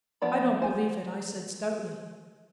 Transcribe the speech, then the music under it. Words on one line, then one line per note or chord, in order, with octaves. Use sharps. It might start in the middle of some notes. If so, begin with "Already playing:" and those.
"I don't believe it," I said stoutly.
F3 B3 D5 B5
C5 G#5